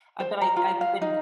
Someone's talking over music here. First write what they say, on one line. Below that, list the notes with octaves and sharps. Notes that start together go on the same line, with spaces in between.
uh, but I I've been
C5
A#5
F4
F5
D#4